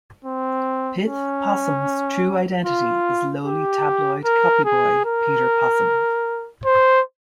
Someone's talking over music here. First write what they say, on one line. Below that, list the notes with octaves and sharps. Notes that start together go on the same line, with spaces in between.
Pith Possum's true identity is lowly tabloid copyboy Peter Possum.
C4
C#4
F4
G4
A#4
G#4
A#4
C5